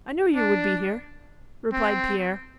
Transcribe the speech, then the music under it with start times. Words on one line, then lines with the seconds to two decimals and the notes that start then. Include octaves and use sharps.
"I knew you would be here," replied Pierre.
0.35 D4
1.73 C4